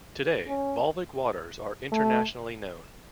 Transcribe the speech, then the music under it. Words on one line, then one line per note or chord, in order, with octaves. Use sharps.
Today, Volvic waters are internationally known.
C#4
A3